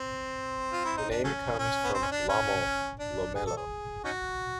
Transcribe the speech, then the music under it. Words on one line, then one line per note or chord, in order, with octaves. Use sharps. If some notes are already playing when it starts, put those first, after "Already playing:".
The name comes from Lommel Loemelo.
Already playing: C4
F4
E4
D#4
D4
F#3 A3 C#4
C#4
B3
C4
C#4
D4
C#4
D4
G#4
A4
G#4
C#4 D#4 F#4